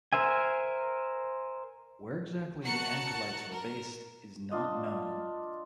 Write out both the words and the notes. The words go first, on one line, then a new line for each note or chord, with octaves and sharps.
Where exactly the Ancalites were based is not known.
A#4 C5 E5 G#5
F#4 A#4 A5 F#6 C#7
A#4
D4 F4 D#5